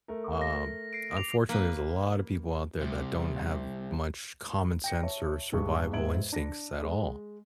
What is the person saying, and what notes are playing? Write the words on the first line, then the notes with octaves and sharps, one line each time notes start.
Um, unfortunately, there's a lotta people out there that don't have much common sense or survival instincts at all.
A3 A#4
A#6
C7 D7
D6 F7
A#3 B4
C2 C3
G5 A#6 C#7
C#5 E5 A5
D#1 G2 G#3 C#6
E2 G#2 E5 G#6 D7 F#7
D4 A#6
G#3